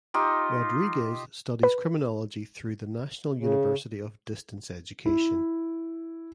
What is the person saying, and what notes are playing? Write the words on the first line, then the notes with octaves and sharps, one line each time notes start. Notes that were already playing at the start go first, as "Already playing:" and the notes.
Rodriguez studies criminology through the National University of Distance Education.
D#4 F4 G4
B4
C#3
E4